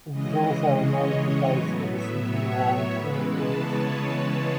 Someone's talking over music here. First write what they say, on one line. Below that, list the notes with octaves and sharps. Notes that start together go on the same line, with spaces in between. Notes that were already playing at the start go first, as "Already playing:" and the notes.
It is also a major base of the Sydney lawn turf industry.
C#3 E3 G#3 D#5
D#5
C#5
A2 F#3 B3
E5
C#5
C#3 E3 G#3 B3 B4
A5
C#5